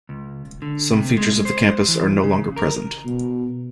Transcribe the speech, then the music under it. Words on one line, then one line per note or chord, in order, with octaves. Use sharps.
Some features of the campus are no longer present.
C#2
D3
C3
G#3
C5
E3
C#3
A#4
B2